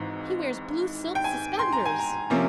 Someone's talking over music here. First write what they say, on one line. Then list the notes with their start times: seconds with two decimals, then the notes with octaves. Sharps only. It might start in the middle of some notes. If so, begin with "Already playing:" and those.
"He wears blue silk suspenders."
Already playing: G#1 G#2 E3
1.15 G5
1.24 G#5
1.59 C6
1.73 A#5
1.85 G#5
1.99 A#5
2.30 C3 F3 A#3 C#4